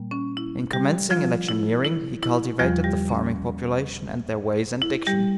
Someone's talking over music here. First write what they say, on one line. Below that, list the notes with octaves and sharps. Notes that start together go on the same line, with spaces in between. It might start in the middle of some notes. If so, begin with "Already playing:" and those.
In commencing electioneering, he cultivated the farming population and their ways and diction.
Already playing: A#2 G3 A#3
C#4
E4
G3 G4
F3 F4
E4
E4
E4
E2 C#3 F3 G3 F4
G3 G4
C#4
E4
G3 G4